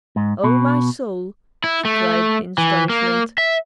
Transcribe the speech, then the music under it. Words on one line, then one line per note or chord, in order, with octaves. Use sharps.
"Oh, my soul!" she cried in astonishment.
G#2
B2
E4
A3
E3
A#3
E5